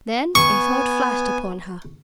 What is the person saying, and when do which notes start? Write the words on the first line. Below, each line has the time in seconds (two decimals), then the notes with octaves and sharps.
Then a thought flashed upon her.
0.35 B3 G#5 C#6